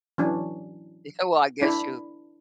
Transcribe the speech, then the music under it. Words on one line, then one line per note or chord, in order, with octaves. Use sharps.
Yeah, well, I guess you
E3 F#3 C#4 D4
D4 E4